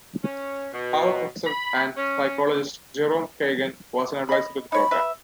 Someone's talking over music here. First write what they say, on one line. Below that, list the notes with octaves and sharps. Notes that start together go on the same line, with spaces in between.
Harvard professor and psychologist Jerome Kagan was an advisor to the program.
C#4
B2
B5
C#4
D#5 B5
D#4 C#5 B5
B4 E5